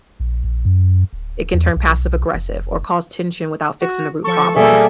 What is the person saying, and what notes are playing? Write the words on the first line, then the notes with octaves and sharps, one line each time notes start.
it can turn passive aggressive or cause tension without fixing the root problem.
A#1
A#1
F#2
D1
E2
B1
F1
F#4
F3 A4 C#6
B2 G3 A#3 G#4 A4 D5 E5